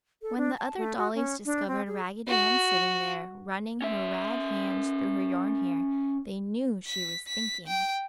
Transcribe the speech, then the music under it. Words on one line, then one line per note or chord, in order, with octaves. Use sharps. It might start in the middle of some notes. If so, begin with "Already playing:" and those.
When the other dollies discovered Raggedy Ann sitting there, running her rag hands through her yarn hair, they knew she was thinking.
A4
D4
A5
A3
F#4
C#4
D4
C4
G#4
F#4
C#4 E5
B6
B6
G5